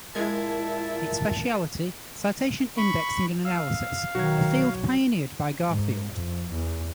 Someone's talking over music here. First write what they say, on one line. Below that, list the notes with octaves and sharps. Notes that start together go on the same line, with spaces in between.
Its specialty: citation indexing and analysis, a field pioneered by Garfield.
A#2 G#3 E4 A#4 A5 G#6
B5 C#6
F5 E6
B1 D#3 F#3 F#4 G#6
G#2
F2
E2